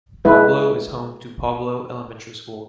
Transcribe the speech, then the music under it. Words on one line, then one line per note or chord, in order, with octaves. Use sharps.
Pablo is home to Pablo Elementary School.
G#3 E4 B4